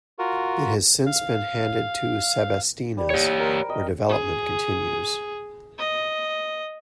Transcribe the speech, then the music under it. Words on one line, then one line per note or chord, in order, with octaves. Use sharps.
It has since been handed to "sebastinas", where development continues.
F4 F#4 A#4
F5
G3
G4 C#5
A#4 C5
D#5 G5
G#4
D#5